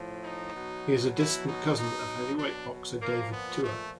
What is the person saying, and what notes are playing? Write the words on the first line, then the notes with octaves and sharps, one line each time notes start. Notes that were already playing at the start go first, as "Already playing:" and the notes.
He is a distant cousin of heavyweight boxer David Tua.
Already playing: A2 F3
D#4
B2 F#3
E4
D#4
B2 F#3 D#4
D4
A#2 F3 A#3
B3
A3